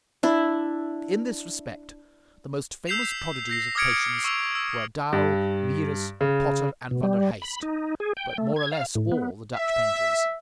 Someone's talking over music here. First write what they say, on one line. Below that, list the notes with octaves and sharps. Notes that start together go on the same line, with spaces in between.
In this respect the most famous prodigies of patience were Dow, Mieris, Potter, and Van der Heist, but more or less all the Dutch painters.
D4 E4
E6 G6 B6 C7 E7 F7
G6 A#6 C7
D6 D#6 F6 G#6 C#7 D7
C#6 E6 F7
E6
G2
C#3
B2
G3
B5
D#4
G#4
G5
A3
G#6
F5
A2
B3
E5